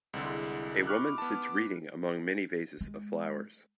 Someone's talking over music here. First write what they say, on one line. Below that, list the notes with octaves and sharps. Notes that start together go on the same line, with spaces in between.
A woman sits reading among many vases of flowers.
C2 D3 G#3 C4 E4
B5 C#6 D6 F6 F#6
B3 A5
G#3